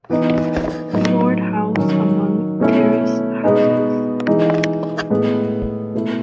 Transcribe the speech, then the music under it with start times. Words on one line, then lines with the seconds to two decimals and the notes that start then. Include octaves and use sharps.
Floored house among terraced houses.
0.10 E3 B3 D#4
0.93 A2 F#3 B3 D#4
1.76 D#3 F#3 C#4
2.60 B2 A3 C#4 E4
3.43 B2 G#3 B3 D#4
4.27 E3 G#3 D#4
5.10 A2 G#3 B3
5.94 B2 A3 E4